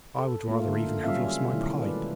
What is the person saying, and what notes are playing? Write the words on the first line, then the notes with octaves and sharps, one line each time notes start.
I would rather even have lost my pipe!
A4
A3 A#3 F4
D3
F#3 G3 C#4 F4 E5 F5
B2 D#3 A3 E4
G#3 B4 D5